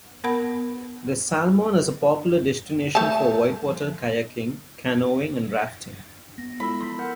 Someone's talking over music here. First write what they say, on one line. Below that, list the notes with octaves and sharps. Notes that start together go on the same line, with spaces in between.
The Salmon is a popular destination for whitewater kayaking, canoeing, and rafting.
B3 A#4 F#5 B5
A3 A5
B3 A#6
G#3 E4 F4 A4 B5 E6
F3 E4 C6 B6
A#4 F#5 E6 G6